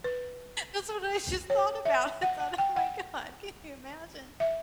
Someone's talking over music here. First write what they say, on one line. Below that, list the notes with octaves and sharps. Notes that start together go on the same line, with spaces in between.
That's what I just thought about. I thought, "Oh my God, can you imagine?"
B4
C#5
E5
F#5
F#5
G5
F#5
E5